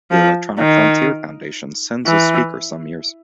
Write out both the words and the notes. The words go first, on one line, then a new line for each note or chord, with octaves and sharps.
The Electronic Frontier Foundation sends a speaker some years.
F3
D#3
E3